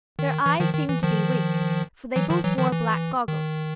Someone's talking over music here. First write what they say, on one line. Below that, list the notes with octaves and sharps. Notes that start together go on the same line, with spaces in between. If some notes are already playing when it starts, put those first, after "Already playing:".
Their eyes seemed to be weak, for they both wore black goggles.
D#3
E3
D#3 F3
D#3
E3
D#3 F3
E3 F#3
D#3 F3
E3 F#3
D#3 F3
E3
D#3